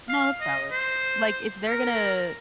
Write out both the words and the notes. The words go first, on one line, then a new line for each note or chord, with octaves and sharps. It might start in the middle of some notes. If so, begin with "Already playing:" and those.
No, that's valid. Like, if they're gonna
F5
D#5
C5
A#4